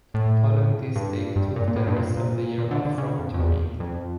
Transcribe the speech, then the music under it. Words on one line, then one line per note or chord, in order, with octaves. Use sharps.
Following this they took the rest of the year off from touring.
A2
G2
G2
A#2
A#2
A2
G2
A#2
A#2
A#2
D3
D3
C#3
F2
F2
E2
F2